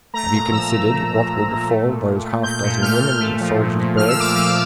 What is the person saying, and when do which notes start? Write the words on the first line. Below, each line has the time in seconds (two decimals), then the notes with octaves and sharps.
Have you considered what will befall those half-dozen women in the soldiers' berths?
0.14 A3 A#5
0.33 A#2
0.51 F3 E6
0.71 A3
0.91 A3
1.10 A#2
1.29 A#2
1.48 A#2
1.67 A3
1.86 A#2
2.05 A#2
2.24 A3
2.43 A#2 G6
2.64 A#2
2.82 A3 F6
3.02 A#2
3.20 A3
3.40 F3
3.60 A#2
3.79 A#2
3.97 F3 F6
4.08 E6
4.16 F3 D6
4.32 F3 E6